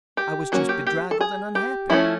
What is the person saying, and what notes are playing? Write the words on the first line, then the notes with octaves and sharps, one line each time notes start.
I was just bedraggled and unhappy.
G4
F#3 A#3 C#4 F#4
G4
G4
A4
G#4
G4
F3 A3 C#4 E4